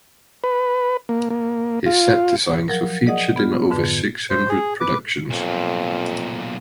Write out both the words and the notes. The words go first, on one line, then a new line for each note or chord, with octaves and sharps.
His set designs were featured in over six hundred productions.
B4
A#3
A#3
F4
F3 F#3 A#4
G#4 D5 D#5 F#5 D#6
B3 F4
F2 G#2 D3 B4
C5
G#4
B4 D6
B1 F2 A#2